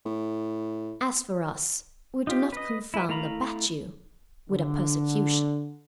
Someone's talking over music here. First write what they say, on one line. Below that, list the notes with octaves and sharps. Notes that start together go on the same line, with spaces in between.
As for us, we do not confound a battue with a persecution.
A2
D#4 F4 G4
B4 D#5
E4 B4
A3 E4 F5 A#5 B5
D3